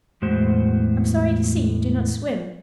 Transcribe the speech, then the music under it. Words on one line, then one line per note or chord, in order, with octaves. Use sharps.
I'm sorry to see you do not swim.
E2 A2 G#3 F#4 C5